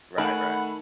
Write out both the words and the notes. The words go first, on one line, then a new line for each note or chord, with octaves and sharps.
Right. Right.
D#3 A3 F#5 G#5 A5 B5